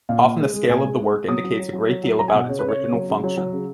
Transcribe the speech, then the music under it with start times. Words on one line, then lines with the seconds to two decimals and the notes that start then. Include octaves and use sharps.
Often the scale of the work indicates a great deal about its original function.
0.09 A#2 F5
0.24 A#2
0.40 G#3
0.54 G#3
0.69 A#2 G#5
0.84 G#3
0.99 G#3
1.14 G#3
1.28 F#3 D#6
1.44 F#3
1.59 F#3
1.73 F#3
1.89 F#3
2.04 F#3
2.19 F#3 A#5
2.28 G#5
2.34 B2 F#5
2.48 C#3 C#5
2.59 B4
2.63 C#3
2.69 C#5
2.79 C#3
2.93 F#3
3.09 C#3
3.24 F#3
3.37 F#3
3.52 C#3